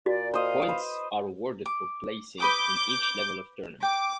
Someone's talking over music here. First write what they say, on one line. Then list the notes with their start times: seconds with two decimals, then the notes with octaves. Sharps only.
Points are awarded for placing in each level of tournament.
0.06 A#2 F#4 D5
0.34 C5 D#5 F5
0.68 B4 C5
1.66 D6
2.40 B4 B5 D6 D#6 G6
3.83 G5 D6